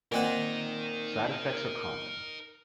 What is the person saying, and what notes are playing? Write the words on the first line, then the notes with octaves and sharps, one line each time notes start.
Side effects are common.
A#2 C4 A#4 D#5 F#5